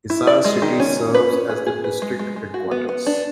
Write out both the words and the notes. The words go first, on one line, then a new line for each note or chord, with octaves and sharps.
Hisar city serves as the district headquarters.
E4
D5
G#3
D#3
C#4
C#4
B4
C#4
G#4
G#4
B4
G#3
G#3
G#3
F#4
B3
B3
D4